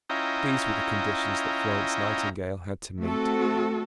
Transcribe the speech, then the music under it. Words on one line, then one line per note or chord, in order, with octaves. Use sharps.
These were the conditions that Florence Nightingale had to meet.
C#4 E4 F4 D#5 G5 A#5
A3 C4 F#4 A4